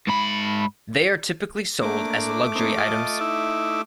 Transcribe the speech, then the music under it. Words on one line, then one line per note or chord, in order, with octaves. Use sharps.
They are typically sold as luxury items.
G#2 B5
A3 A#3 D4 D6
A#3 C4 D#4
F4 A4 D#5
D#4 E4 E5